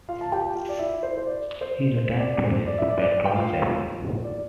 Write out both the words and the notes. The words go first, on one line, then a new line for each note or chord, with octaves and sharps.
He returned to his patrol safely.
F4 F5
A5
G4 G5
F4 F5
D5
E4 E5
C5
C5
D5
C5
C5
D5
C5
D5
E5
D5
D5
G5
F4 F5
D5